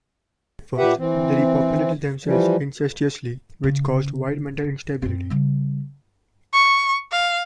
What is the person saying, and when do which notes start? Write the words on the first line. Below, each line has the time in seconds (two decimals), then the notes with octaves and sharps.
At first they repopulated themselves incestuously, which caused wide mental instability.
0.78 A#2 G4 B4 E5 F#5
0.98 E3 C4
2.25 E3 F3 G3
3.63 C#3
5.02 F#2 C4
5.30 C#3 G3
6.53 C#6
7.12 F5